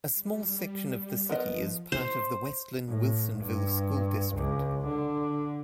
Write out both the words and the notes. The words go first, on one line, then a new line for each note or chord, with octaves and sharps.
A small section of the city is part of the West Linn-Wilsonville School District.
G3
F3 B3 A#4 D#5
C5
A2
G2
C#2
D3